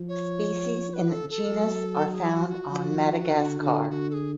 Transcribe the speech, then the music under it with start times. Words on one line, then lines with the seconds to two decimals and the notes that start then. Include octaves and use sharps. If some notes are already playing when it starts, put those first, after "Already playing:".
Species in the genus are found on Madagascar.
Already playing: F3
0.09 C#5
0.89 C#5
0.94 B4
1.10 A4
1.30 A4
1.49 F#3
2.10 A4
2.14 G#4
2.30 F#4
2.49 F#4
2.70 F3
3.31 D3
3.61 D3
3.90 D3 F#4
4.10 A4
4.14 G#4